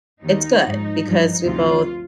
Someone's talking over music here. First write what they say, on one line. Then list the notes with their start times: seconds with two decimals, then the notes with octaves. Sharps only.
it's good because we both
0.23 D#2 D#3 D#4
0.63 G#2 F3
1.04 G2 F3
1.44 D2 C3 F3 F4